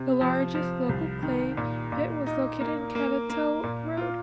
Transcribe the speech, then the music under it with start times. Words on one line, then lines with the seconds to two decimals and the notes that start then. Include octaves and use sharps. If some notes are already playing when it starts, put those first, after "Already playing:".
The largest local clay pit was located on Cattell Road.
Already playing: C3
0.21 F3
0.55 F3
0.89 C2
1.23 D#3
1.57 A#2
1.92 A#2
2.26 D#4
2.60 A#3
2.95 A#3
3.30 A#3
3.63 A#2
3.97 F4